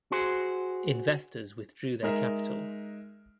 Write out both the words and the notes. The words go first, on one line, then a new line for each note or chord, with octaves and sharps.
Investors withdrew their capital.
F#4 G#4 C5
G#3 D#4 A#4 E5